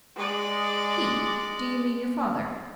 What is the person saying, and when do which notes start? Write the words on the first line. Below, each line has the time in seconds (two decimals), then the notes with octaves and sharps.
"He--do you mean your father?"
0.15 G#3 D5